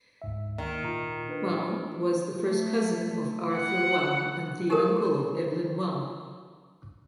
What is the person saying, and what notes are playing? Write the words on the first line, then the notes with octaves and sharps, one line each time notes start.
Waugh was the first cousin of Arthur Waugh and the uncle of Evelyn Waugh.
D2 G#2 E5
D#3 A#3
A#2 F4 A#5
D4 B4
A3
F#5
D#4 G4 A4 A#4 A5 D#6